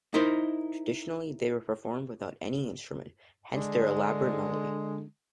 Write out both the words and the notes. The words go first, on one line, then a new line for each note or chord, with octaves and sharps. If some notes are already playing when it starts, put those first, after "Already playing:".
Traditionally, they were performed without any instrument, hence their elaborate melody.
D#4 E4 A#4 C5
D3 G#3